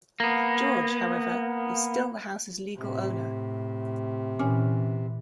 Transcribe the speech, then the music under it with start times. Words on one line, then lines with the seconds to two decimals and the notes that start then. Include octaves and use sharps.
George, however, is still the house's legal owner.
0.20 A#3 B3
2.75 A2 C3
4.39 A#2 E3 C#4 G#5